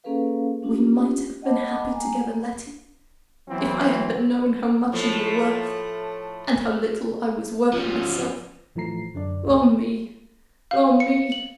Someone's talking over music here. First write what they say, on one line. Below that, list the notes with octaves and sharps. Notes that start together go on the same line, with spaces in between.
"We might have been happy together, Letty, if I had but known how much you were worth, and how little I was worth myself!--Oh me! oh me!"
A#3 C#4 G#4 A4 B4 F5
C#4 D4 F4 G4
D#5 F#5 G5 A5 B5 D6
A#3 G5 G#5 A#5
A#3 B3
E3 F#3 B3 C4
A2 F3 A3
F3 C#4
A2 E3 F3 A3 A#5 C7
F#2 D3 D4 D5
C2 A2 A3
F5
C#7
F#7